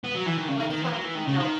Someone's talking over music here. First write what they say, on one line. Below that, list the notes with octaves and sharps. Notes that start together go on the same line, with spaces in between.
well, I just wanna point out
B3
F#3
E3
D#3
C#3
D#3
D#3
E3
F#3
E3
D#3
C#3
D#3